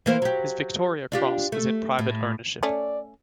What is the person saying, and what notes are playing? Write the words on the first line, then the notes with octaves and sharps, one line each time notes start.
His Victoria Cross is in private ownership.
E3 A#3 C5
F#3 G4
D4 F4 G4
A3
A2
A3 C#4 D5